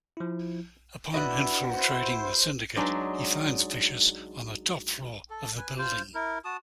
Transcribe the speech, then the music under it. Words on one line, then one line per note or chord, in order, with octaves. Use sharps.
Upon infiltrating the syndicate, he finds Vicious on the top floor of the building.
F3 E4
D4 E4 F#4 B4 D#5 F#5
E4 C5
F#3 G#3 D4 D#4
A4
B4 G#5
F4 C5
E4 A#4
F#4 A5 D#6